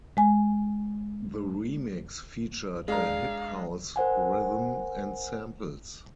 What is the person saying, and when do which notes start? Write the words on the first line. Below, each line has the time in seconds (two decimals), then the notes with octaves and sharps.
The remix featured a hip house rhythm and samples.
0.17 G#3 G#5
2.88 G#3 D4 F5 A#5
3.96 A#4 C5 F#5 G#5